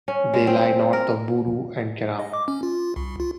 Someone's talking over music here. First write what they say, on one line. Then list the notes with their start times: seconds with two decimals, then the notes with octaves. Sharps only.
They lie north of Buru and Ceram.
0.08 C#4
0.34 G#3
0.47 C4
0.93 A#4
2.19 D#5
2.33 D6
2.48 C#4
2.63 F4
2.96 C2
3.20 F4